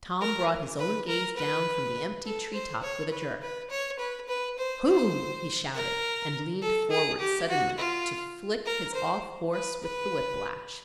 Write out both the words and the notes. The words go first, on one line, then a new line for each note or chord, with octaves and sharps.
Tom brought his own gaze down from the empty tree-top with a jerk. "Hoo!" he shouted, and leaned forward suddenly to flick his off horse with the whiplash.
A#4
B4
A#4
B4
A4
C5
C#5
B4
B4
C#5
B4
B4
C5
C5
A#4
A4
G#4
G4
F#4
F4
A#4
C5
B4
B4